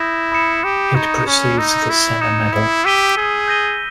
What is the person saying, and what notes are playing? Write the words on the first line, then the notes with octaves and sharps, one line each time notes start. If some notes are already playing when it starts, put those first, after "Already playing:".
It precedes the Sena Medal.
Already playing: E4 D#6 G6 A#6 E7
B5 D#6 A#6 C#7 E7
G4
D#4 C#6 G#6 C#7
C#4
D#4 E6 G6 A#6
E4
D#4 D#6 G#6 C#7 E7
E4
G4 E6 G6 B6 D#7 G7
G#4
G6 A#6 D#7 G7